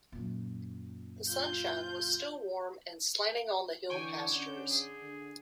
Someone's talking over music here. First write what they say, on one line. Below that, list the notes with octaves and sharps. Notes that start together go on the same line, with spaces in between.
The sunshine was still warm and slanting on the hill pastures.
F#2 A#2
F4 G6
D3 E3 C#5 G5 G#5
C#4 G6
G#4
D3